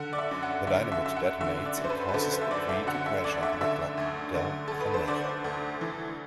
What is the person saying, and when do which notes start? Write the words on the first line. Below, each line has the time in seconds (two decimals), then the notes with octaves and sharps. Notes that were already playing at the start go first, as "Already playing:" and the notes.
The dynamite detonates and causes the tree to crash onto the Club Del Conejo.
Already playing: D3 F#5
0.13 D5
0.18 E5
0.31 F#2
0.43 F#5
0.67 D3 E5
0.92 E5
1.05 F#2 E5
1.16 F#5
1.40 D3 E5
1.65 D5
1.77 F#2
1.85 C5
1.90 B4
2.09 B4
2.14 D3 A4
2.33 C5
2.41 E5
2.51 F#2 D5
2.69 E5
2.87 D3 F#5
3.06 E5
3.24 D2 D5
3.43 E5
3.61 D3 E5
3.97 D2
4.35 D3
4.68 D2 A4
4.81 B4
4.94 C5
5.08 D3 D5
5.44 D2
5.81 E3